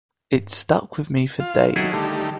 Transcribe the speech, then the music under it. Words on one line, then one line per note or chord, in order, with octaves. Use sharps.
It stuck with me for days.
F4
D#3 F#3 E4 G#4 A4
D3 D#3 G3 A3